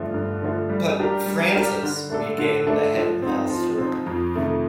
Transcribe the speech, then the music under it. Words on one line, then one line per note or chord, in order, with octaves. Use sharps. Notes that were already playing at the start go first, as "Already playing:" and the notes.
"But, Francis..." began the headmaster.
Already playing: G2 D3 F3 A3
G2
D3 F3 A3
G3
D4 G4 A#4
G3
D4 G4 A#4
D3
A3 D4 A4
D3
A3 D4 A4
F3
C4 D#4
F3
C4 D#4
F2
C3 D#3 A3